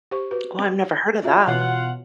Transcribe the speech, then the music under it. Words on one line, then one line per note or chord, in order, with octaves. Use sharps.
Oh, I've never heard of that.
G4 C5 C#6
F#4 B4
F4 F#4 E5
B2 E3 F4 F#4 C#5 F#5